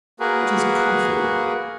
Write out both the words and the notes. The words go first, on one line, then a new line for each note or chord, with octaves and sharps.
What is Coffee?
A#3 F#4 G#4 A#4 B4